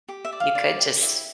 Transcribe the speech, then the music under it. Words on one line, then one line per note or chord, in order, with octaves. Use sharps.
you could just
G4
E5
D5
F5
D5
G4
E4